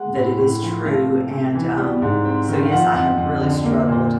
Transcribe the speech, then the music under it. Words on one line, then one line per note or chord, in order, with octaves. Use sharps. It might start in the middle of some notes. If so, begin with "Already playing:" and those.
that it is true, and, um so, yes, I have really struggled
Already playing: G#3 F#5
A2
A2
F3
A3 F5
C3
C3
E3
G3
G#2
C4
D#3
F5
F3 F#5
F2 F#5
F2
D3
A#3
A#2